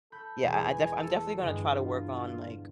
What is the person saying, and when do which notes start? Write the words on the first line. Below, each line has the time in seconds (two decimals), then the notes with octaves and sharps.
yeah, I I defi I'm definitely gonna try to work on, like,
0.12 A4 B5 G6
0.43 E1 G#4 G#5
0.99 A4
1.41 G2 D3 G#3
1.71 F4